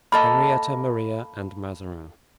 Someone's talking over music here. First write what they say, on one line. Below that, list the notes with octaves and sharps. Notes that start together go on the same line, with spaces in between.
Henrietta Maria and Mazarin.
A#3 A4 D#5 B5